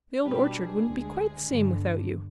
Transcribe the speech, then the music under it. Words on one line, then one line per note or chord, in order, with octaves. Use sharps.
The Old Orchard wouldn't be quite the same without you.
B2 G3 D4 G4 B4
G#4
D2 D3 G#3
G1 G2 D3